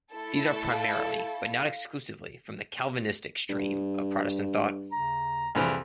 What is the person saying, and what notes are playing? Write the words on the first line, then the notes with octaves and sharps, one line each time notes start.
These are primarily, but not exclusively, from the Calvinistic stream of Protestant thought.
A3 E4 A4
F5
G2
D#2 C#3 A#5
C2 F2 E3 G#4 F6